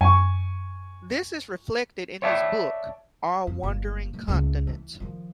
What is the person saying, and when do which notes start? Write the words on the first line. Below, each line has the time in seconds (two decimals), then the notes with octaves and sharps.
This is reflected in his book "Our Wandering Continents".
0.01 F#2 G#5 C#6
2.22 C#5 D5 E5 F#5 A5
3.47 F2
3.63 G1 A#3
4.14 A3
4.28 C#2 A3
4.67 E3
5.00 D#3 F3